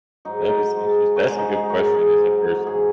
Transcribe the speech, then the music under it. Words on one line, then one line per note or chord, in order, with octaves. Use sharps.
That is interest that's a good question is a person
G#2 F#3 D#4
D#4
G#2 G#3
F#4
G#2 G#3 G#4
D#4
D#4
G#2 F#3 F#4
G#4
G#2 F#3
G#2 F#3 G#4